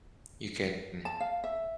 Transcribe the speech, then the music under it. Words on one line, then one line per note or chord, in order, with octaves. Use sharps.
You can n
A5
F5
E5